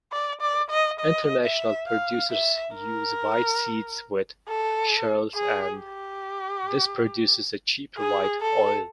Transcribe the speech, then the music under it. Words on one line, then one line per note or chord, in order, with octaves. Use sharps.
International producers use white seeds with shells and this produces a cheaper white oil.
D5
D5
D#5
D#5
E5
F5
E5
A#4
A4
G#4
G4
G#4
A4